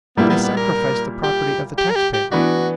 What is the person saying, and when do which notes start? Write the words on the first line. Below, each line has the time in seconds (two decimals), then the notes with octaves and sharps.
They sacrificed the property of the tax-payer.
0.17 A#2 G3 A#3 B3 E4
0.30 B3
0.43 B3
0.57 A#4
1.24 G4
1.78 G4
1.90 A#4
1.96 G4
2.14 G4
2.31 E3 B3 D4 F#4